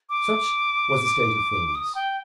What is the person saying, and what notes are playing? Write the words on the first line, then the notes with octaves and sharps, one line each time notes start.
Such was the state of things.
D6
D#6
G5